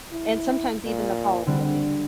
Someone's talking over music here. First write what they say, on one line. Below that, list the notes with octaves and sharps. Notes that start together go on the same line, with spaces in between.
and sometimes even the following day.
E4
A#2
D3 G3 C4